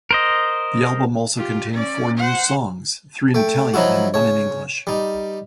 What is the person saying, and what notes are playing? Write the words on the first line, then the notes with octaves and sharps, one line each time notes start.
The album also contained four new songs; three in Italian and one in English.
A#4 C5 D#5
F4 G4
C#4 D5
C5 F#5
A3 G5
F3 F#3 D#4 E4 F#4
C#3 C#5
G3 D#4